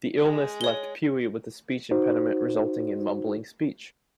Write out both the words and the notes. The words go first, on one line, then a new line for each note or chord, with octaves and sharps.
The illness left Puey with a speech impediment resulting in mumbling speech.
G#3
C#5 G7
D#4 F#4 C5